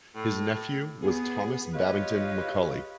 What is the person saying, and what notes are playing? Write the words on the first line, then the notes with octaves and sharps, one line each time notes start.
His nephew was Thomas Babington Macaulay.
A2
B3 G#4
F4 G4 G#4 B4 C#5 D#5